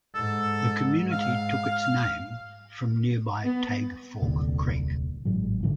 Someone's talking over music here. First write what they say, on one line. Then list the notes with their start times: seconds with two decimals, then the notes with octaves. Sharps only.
The community took its name from nearby Tague Fork creek.
0.15 G#2 A4
1.12 F5
3.45 B3
4.22 D#1 C2 A#2 D3
5.25 A1 G#2 F#3
5.63 A#2 D3 F3